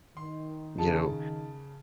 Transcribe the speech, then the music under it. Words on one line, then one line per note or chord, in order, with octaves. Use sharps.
you know
D#3 C6
C#3 A5